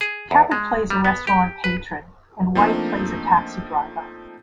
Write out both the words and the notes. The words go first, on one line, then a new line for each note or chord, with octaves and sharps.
Cabot plays a restaurant patron and White plays a taxi driver.
G#4
E2
G#3
G3
B3
G4
B4
F3 A3 A#3 C4 D4 D#4